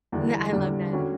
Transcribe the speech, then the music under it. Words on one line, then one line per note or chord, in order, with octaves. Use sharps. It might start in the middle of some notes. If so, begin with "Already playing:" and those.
Yeah, I love that.
E2 D3 G3 D4
E2 D3 G3 D4
D3 G3 C#4 F#4